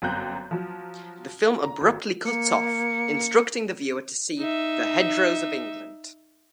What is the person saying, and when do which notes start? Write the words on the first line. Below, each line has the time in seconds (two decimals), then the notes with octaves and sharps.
The film abruptly cuts off, instructing the viewer to see 'The Hedgerows of England'.
0.02 G1 F#2 C4 A#5 F#6 G6
0.51 F3 F#3
1.64 A#5
1.81 G#1
2.26 A#3 C#7
4.39 D#4 E5